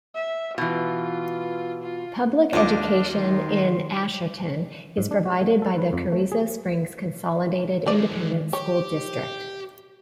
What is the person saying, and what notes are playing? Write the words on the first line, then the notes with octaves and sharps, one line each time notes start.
Public education in Asherton is provided by the Carrizo Springs Consolidated Independent School District.
E5
B2 E3 F4
F4
D#2 D4 F4 D#5 D6
D#3 C6
G#2
D4
F#4
A3
A4
B4
F2
A3
G#4
D#3 G#3 A3 D5
G4 C#5